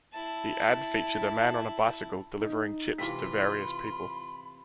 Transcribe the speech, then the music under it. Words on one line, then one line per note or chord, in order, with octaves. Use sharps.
The ad featured a man on a bicycle delivering chips to various people.
E4 A5
D#4
C3 E3 F4 F5 B5 B6